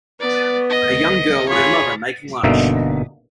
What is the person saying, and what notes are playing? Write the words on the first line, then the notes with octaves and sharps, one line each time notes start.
A young girl and her mother making lunch.
B3 D5
D#5
F4 G#4 C#5 B5
G1 B2 D3 A#3 D#4 E5